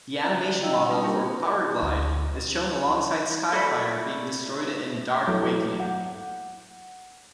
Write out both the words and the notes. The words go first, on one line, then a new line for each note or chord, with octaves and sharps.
The animation model for Powerglide is shown alongside Skyfire being destroyed in "Dark Awakening".
D5 E5 A#5
D3
D#5 F5 G5 A#5 E6
G3 C4 D4 D#4 F4
A#3 G4 A#4
D2
A3 D5 B5
E3 F#3 A3 D6 G6
F#5